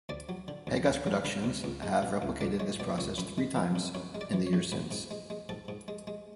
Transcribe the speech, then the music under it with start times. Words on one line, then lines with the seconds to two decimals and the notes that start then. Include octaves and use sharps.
Pegas Productions have replicated this process three times in the years since.
0.09 D2 D5
0.29 F#3
0.48 D3
0.67 D2
0.87 D2
1.06 F#3
1.25 D3 B4
1.44 D2
1.64 C#2
1.83 G#3
2.03 B2
2.22 C#2
2.41 C#2 D5
2.60 G#3 C#5
2.80 B2 D5
2.98 C#2 C#5
3.18 F#2 B4
3.38 G#3
3.56 E3
3.76 F#2
3.95 F#2 C#5
4.15 G#3
4.21 D5
4.33 E3
4.47 C#5
4.53 F#2
4.72 G#2 B4
4.91 G#2
5.11 G#3
5.30 G#3
5.49 G#2 A4
5.68 G#2
5.88 G#3
6.07 G#3